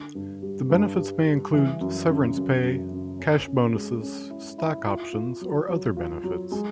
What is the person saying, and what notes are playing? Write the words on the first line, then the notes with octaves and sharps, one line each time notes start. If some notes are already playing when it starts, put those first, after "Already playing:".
The benefits may include severance pay, cash bonuses, stock options, or other benefits.
Already playing: D3
G2
G3
G2
G3
G3
E3
F#2
C#3
F#2
F#2
C#3
C#4
C#4
G#3
C#4
E4
E4
F4
F4
F#3
F#3
F4
F#3
G#3